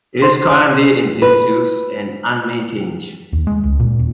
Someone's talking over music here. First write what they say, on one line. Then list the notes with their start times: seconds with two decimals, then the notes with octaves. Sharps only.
It is currently in disuse and unmaintained.
0.22 C5 C6
1.22 B4
3.33 D#2
3.47 G#3
3.64 C#2
3.79 A#2
3.99 D#1